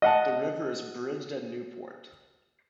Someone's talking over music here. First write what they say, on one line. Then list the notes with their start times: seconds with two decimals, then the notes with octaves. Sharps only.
The river is bridged at Newport.
0.02 D#5 F#5 A5